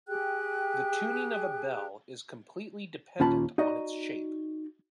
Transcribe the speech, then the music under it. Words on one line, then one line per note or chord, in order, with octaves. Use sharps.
The tuning of a bell is completely dependent on its shape.
G4 G#4 G5 F#6
D#2 A#2 C#4 F4 A5 B5
D#4 F#4 D5 D#5